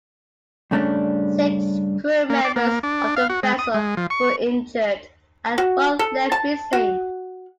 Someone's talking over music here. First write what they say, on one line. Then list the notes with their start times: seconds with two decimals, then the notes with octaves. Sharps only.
Six crew members of the vessel were injured and one left missing.
0.71 G2 C#3 A3 C#4 D4
2.30 A#3
2.45 D5
2.56 A#3
2.83 D4
3.17 F5
3.30 F#4
3.43 G#3
3.59 D#6
3.74 G#3
3.97 F3
4.10 C#6
5.58 F#4
5.99 A4
6.32 A5
6.73 F#4